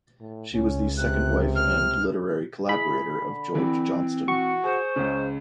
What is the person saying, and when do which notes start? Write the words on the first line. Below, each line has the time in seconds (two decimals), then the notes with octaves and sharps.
She was the second wife and literary collaborator of George Johnston.
0.20 A2
0.54 C#2 C#4
0.98 C3 F#6
1.56 F6
2.69 E4 G#4 B5
3.21 D3
3.55 E3 C4
4.28 F#4 C#6
4.64 G#4 C5
4.96 C#2 C#3 G#3